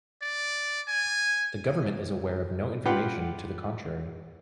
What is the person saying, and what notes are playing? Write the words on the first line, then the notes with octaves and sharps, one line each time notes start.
The government is aware of no information to the contrary.
D5
G#5
F4 G4 B4 F#5